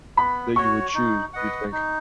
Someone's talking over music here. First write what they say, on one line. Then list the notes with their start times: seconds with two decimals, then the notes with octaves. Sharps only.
that you would choose, do you think?
0.17 B3 B5
0.56 F#4 C#5 C#6
0.94 D#4
1.33 B4 D#5 F#5
1.72 D#4